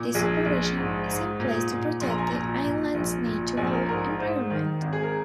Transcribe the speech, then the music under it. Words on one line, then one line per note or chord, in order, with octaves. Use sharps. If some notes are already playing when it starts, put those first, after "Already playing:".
This supervision is in place to protect the island's natural environment.
Already playing: A#2
A#1 G#4
A#1
G#2
G#2
A#2
A#2
A#1 C6
A#5
G#5
A#5
A#2
A#2
A#1
A#2
A#1 G#5
C5
A#4
G#2 A#4
G#2 C5
D#3
G#1
G#4
A#4